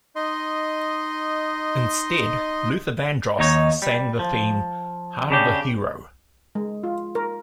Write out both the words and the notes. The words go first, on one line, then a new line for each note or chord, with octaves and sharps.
Instead, Luther Vandross sang the theme, "Heart of a Hero".
D#4 D#5 C6
D#2 D#4 C#5
G3
F3
C#3 D4 G4
G#3
F4
A#4